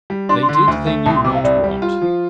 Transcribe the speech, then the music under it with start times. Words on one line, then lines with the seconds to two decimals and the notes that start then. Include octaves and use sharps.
They did they knew not what.
0.10 G3
0.29 D4 C6
0.42 C6
0.49 D3
0.54 C6
0.68 D2
0.87 A3
1.05 C2 A5
1.15 C6
1.24 C3 D6
1.34 F5
1.43 C2 D5
1.64 G3
1.82 F4
2.02 F3